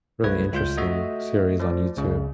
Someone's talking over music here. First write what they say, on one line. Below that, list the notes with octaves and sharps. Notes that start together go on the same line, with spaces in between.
really interesting series on YouTube,
C2 A3 B4 G#6
C#2 F4 G6
A3 F#4 D#5 E5
F3 D5
C#2 C#3